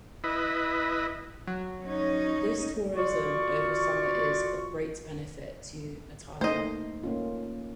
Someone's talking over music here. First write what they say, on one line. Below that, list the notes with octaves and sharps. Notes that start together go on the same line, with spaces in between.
This tourism over summer is of great benefit to Nathalia.
E4 B4 D#5
F#3
C#4 D#4 C#5
F4 F#4 D5 C#6
A3 A#3 D#4 C5 D#5
A#3 C#4 F4